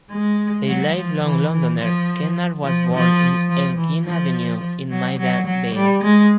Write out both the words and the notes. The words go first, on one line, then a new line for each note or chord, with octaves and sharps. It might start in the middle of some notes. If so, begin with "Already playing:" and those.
A lifelong Londoner, Kennard was born on Elgin Avenue in Maida Vale.
G#3
F#3
F3
E3
E3
F3
F3
F3
F3
E3
F3
F#3
F#3
F#3
G3
G#3